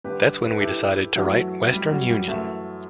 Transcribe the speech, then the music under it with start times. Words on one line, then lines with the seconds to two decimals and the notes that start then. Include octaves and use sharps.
That's when we decided to write 'Western Union.
0.04 G2 D3 G4 B4
0.45 B4
0.52 A4
0.60 E4 G4
1.16 F#2 E3 F#3 A3
1.72 G3
1.91 F#3
2.09 G3
2.28 F#2 E3 F#3 A3